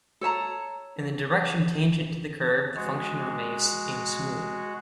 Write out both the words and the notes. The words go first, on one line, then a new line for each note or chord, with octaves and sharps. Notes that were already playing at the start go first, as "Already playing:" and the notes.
In the direction tangent to the curve, the function remains smooth.
A4 C#5 A5 A#5
G#3 F#4